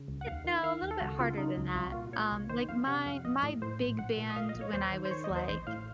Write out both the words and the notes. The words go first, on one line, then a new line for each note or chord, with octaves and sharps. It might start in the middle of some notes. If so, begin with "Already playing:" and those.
you know, a little bit harder than that, um, like, my my big band when I was, like,
Already playing: C#3
C#2
F#5
D#2 F5
D#3
D#3 F5
D#2
A4
C#2 F#4
C#3 F4
C#3 D#4
C#2
C2 F4
F#4
A#2 F4
A#2 C#5
C2
D#3 C5
F2 F5
C3 F#5
F2 F5
A#1 D#5
A2
A2 C5
A#1
A#1 F#5
A#2
D#5
A#2 F5
D#5
A#1
C#5
D#2 C5
D#3
C5
D#3 C#5
D#5
D#2
C5
A1 C5
A2 F5